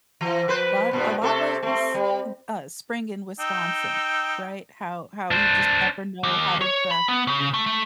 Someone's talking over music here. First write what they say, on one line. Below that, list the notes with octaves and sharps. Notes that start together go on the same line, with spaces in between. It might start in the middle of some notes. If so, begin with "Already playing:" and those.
but a lot like s m uh, spring in Wisconsin, right? How how you just never know how to dress,
E3
F3 B4 C5
G2 A#2 B3
C3 A3 A4
A3 C4
G3
D#4 G5 E6
D4 C5
D#2
C#5
B5
B3
C#3
A3
A3